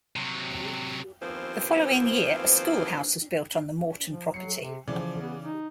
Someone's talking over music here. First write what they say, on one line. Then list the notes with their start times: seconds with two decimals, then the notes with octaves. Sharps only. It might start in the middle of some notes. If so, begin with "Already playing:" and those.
The following year a schoolhouse was built on the Morton property.
0.16 C3 F#3
1.20 D#2 E3 F3 B3 C4 C5
4.10 F3
4.34 F#3 C7 C#7
4.61 C3
4.88 C#3 E3 F3 D5
5.21 B3
5.43 D#4